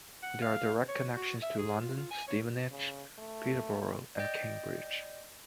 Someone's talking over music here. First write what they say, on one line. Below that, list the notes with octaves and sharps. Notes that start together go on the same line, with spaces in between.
There are direct connections to London, Stevenage, Peterborough, and Cambridge.
F#5
F5
C#5
F#4
E5
G#4
F4
F4
G#5
C#5
C#3
A3
D5 D#5 G5 G6